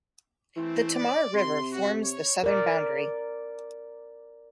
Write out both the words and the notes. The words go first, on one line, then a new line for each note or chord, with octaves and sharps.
The Tamar River forms the southern boundary.
E3 A3 C4
D5
C3 C6
F#4
C#5
A#4 D5